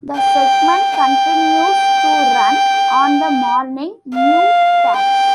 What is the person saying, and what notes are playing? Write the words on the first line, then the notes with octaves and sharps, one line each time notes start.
The segment continues to run on the morning newscasts.
G5
G5
F5
G5